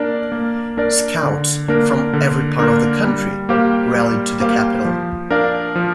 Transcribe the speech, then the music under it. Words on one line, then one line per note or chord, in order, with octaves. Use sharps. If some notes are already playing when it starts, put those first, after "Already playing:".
Scouts from every part of the country rallied to the capital.
Already playing: A#3 D4 A#4 D5
A#3
D4 A#4 D5
D3
A#3 D4 A#4
D3
A#3 D4 A#4
G3
A#3 G4 C5 F5
G3
A#3 G4 C5 F5
F3
D4 A#4 D5 F5
F3